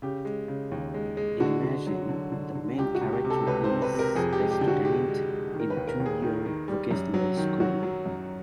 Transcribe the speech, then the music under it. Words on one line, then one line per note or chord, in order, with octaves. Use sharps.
In Imagine, the main character is a student in a two-year vocational school.
C#3 G4
G#3
C#3
D#2
G#3
G#3
D3 F#4
D3
F#3
D3
D3
D3
C#2 G4
F#4
C#2
G4
C3
A4
C#2 B4
C5
C3
B4
C3
A#4
F2 G#4
G4
G#3
G4
D3 G4
F#4
G#3 G4
G#3
G#3
D#3
A#4
B4
D#2
A#4
D#2
G#4
D#3
D#3
G3
F#2
F#3
D#3
F#3 F#4
F#3
F#2